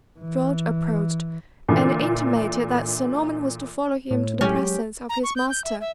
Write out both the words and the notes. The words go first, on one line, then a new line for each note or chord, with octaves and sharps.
George approached, and intimated that Sir Norman was to follow him to the presence of his master.
E3
A#2 D3 E3
A2
F#3 G#3 C#4 G4 G5
A#5
C#6
G6
G6
E5
E5